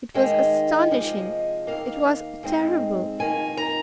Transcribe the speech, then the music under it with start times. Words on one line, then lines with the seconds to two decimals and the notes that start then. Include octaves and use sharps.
It was astonishing. It was terrible!
0.14 D#2 D#3 G#3
0.91 C3 F3 G#3
1.67 D#3 A#3 F5
1.71 D#2
2.43 G#2 G#3 C4
3.19 F2 D#3 A#3 G#5
3.57 A#5